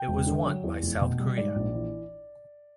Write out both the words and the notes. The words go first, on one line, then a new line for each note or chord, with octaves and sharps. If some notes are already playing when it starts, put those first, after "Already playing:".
It was won by South Korea.
Already playing: G5
E1
D3
F#3
E2
F1
B2
G3
G#2 D5
A#1
E3